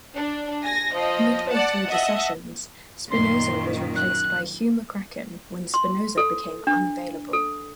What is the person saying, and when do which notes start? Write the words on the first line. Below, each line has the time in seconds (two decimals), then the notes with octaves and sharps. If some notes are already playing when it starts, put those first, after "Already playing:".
Midway through the sessions, Spinozza was replaced by Hugh McCracken when Spinozza became unavailable.
0.15 D4
0.64 G#5 A#6
0.95 F3 D#5
1.50 D5 F#5 A5
1.88 D#5 E5 F#5 A5
3.10 F#2 A#2 D#3 C6
3.96 F#6
5.74 C6
6.18 A4
6.67 D4
7.33 A4